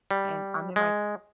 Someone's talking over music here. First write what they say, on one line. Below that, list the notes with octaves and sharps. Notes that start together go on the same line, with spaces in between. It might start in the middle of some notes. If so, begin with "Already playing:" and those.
and I'm in my
G3
G#3